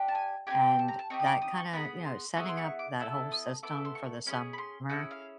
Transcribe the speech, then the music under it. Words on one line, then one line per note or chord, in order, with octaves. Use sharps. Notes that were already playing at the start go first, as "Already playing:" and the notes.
and that kinda, you know, setting up that whole system for the summer,
Already playing: D4 G4
A5
G#5
C4 D#4 G4 G#5
A5
A#5
A5
C4 D#4 G4 C#6
D#6
D6
D#6
C#6
B3 E4 G#4 B5
C6
B3 E4 G#4 C#6
C6
C#6
D6
B3 E4 A4 E6
D#6
B3 E4 A4 D6
C6
C#6
C#4 E4 G#4 B5
B5
C6
C#4 E4 G#4 F#5
F5